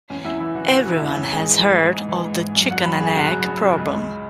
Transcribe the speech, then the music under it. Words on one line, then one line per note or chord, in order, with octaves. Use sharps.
Everyone has heard of the chicken and egg problem.
E2 C#4
E2 E4
E3 E4
E3 F#4
E3 F#4
C#3
E4
E2
C#4
E2
G#2 G#4
E3
G#2
G#2
G#2
E3
G#2
G#2
F#2
F#3 F#5
F#2 B5
F#2 G#4
C#3 F#4
F#2
F#2
C#3
C#2
C#2